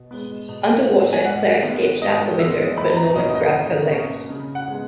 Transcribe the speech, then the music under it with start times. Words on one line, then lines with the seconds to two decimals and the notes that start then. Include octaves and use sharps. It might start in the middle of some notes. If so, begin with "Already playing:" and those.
Underwater, Claire escapes out the window, but Norman grabs her leg.
Already playing: B2
0.11 G#3 B3
0.49 B2
0.87 G#3 B3
1.13 G#5
1.24 G#2 F#5
1.63 D#3 G#3 B3
2.01 G#2 D#5
2.39 D#3 G#3 B3 E5
2.77 E2 B5
2.96 A#5
3.16 B2 A#3 C#4 D#5
3.35 D#5
3.54 E2
3.92 B2 A#3 C#4
4.30 C#3
4.55 F#5
4.68 G#3 B3